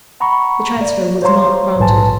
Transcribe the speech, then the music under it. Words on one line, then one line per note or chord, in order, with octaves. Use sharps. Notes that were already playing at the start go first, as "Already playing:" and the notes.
The transfer was not granted.
F#5 A#5 B5 C#6
D5
C5 C#5 F5 A#5 C6
A#1 G#2 B4 G#5 A5